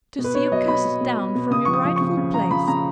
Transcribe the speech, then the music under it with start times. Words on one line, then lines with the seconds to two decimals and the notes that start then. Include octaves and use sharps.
To see you cast down from your rightful place!
0.18 B2
0.24 B4
0.34 B2 C#5
0.52 F#3 D#5
0.68 B2 B5
0.85 F#3
1.01 B2
1.17 B2
1.35 B2
1.51 C#3 D#6
1.65 C#6
1.68 F3
1.73 D#6
1.85 F3
1.96 C#3 C#6
2.17 C#3
2.34 F3 A#5
2.51 F3 B5
2.68 C#3 A#5